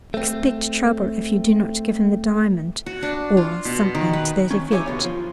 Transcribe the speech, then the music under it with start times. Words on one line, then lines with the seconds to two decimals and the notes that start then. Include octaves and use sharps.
Expect trouble if you do not give him the diamond,' or something to that effect.
0.14 A3 C4
2.86 F#4
3.03 D4
3.37 F4
3.65 B2
3.95 D#3
4.13 B4
4.51 D#3 C#4
4.71 D#4 E4 G4 C#5 E5 G#5
4.86 F2 B2 D3
5.05 F3